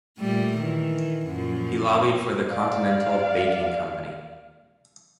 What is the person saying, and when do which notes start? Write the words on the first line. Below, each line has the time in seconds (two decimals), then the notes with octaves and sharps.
He lobbied for the Continental Baking Company.
0.17 A#2 G3 A3
0.58 D#3 E3
1.27 F#2 A#2 F3
2.48 D5 F5